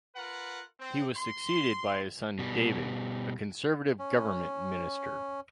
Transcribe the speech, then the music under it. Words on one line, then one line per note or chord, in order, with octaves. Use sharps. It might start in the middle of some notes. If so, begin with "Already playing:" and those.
He was succeeded by his son David, a Conservative government minister.
F4 A#4 B4 F#5
C4
C6
B2 G3
C#4